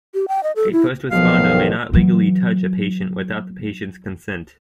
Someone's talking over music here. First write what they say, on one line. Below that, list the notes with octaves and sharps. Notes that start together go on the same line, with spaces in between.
A first responder may not legally touch a patient without the patient's consent.
G4
G5
D#5
A4
E4
B1 D#3 F3 F5
E3 F#3